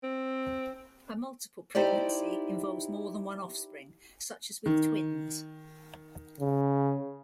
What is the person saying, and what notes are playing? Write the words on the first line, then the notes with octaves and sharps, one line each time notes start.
A multiple pregnancy involves more than one offspring, such as with twins.
C4
D#4 E4 G4 C5 D5
D#3
C#3